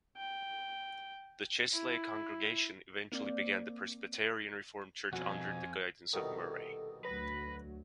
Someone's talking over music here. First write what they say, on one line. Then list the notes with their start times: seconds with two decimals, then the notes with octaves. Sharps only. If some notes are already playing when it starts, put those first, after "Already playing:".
The Chesley congregation eventually began the Presbyterian Reformed Church under the guidance of Murray.
0.17 G5
1.74 E4
3.12 A#3 C4 D5
5.13 F2 B2 F3 F#4 G#5
6.14 C2 B2 D#3 A4
7.05 D2 F#3 B4 A#6